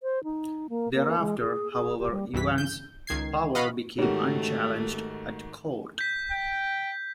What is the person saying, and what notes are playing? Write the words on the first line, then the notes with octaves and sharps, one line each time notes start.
Thereafter, however, Yuan's power became unchallenged at court.
C5
D#4
A#3
A#3
G#3
G#4
G#4
G4
G3
C2 G2 E3 B6
G6
C#2 D#3 G#6 C7
D#5 F5 F#5 B5
G#2 D#3 A3 F#4 G4 C#5
G6 B6
G5